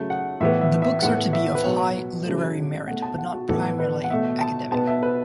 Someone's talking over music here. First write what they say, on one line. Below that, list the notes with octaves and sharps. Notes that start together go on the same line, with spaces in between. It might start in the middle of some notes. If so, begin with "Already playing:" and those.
The books are to be of high literary merit but not primarily academic.
Already playing: C#3 F#3 A3
F#5
A2 E3 B3 E5
E5
E5
A2 E3 B3 F#5
E5
B4
B2 F#3 B3 C#5
C#3 F#3 A3
B2 A3 F#5
A5
F#5
F#4
A2 E3 B3 A4
B4
F#5
B2 A3 E5
A5
B2 B3 A5
E5
B4